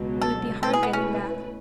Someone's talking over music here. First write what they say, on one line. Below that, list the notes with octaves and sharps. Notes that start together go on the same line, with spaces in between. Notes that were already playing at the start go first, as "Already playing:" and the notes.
It would be hard getting back.
Already playing: C#2 B2 F#3
A4
B2 A3 E4 A4 B4
G#4
B3
C#4